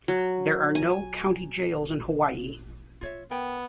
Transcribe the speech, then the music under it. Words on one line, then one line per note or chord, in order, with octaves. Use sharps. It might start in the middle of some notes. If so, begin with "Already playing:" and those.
There are no county jails in Hawaii.
F#3
G#5
F4 C#5 E5
B3 A#4 G5